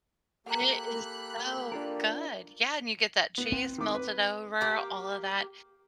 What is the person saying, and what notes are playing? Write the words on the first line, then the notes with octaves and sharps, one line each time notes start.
It is so good. Yeah and you get that cheese melted over, all of that.
A#3 G4 A4 F#5 A#5 B5 F#6
D4 F4 A#4
B3
C4
D#3 D6
B4
A#3 G4